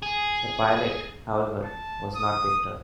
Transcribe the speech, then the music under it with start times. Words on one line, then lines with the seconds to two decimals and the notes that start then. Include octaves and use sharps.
The pilot, however, was not picked up.
0.02 G#4
1.65 A5
2.16 D#6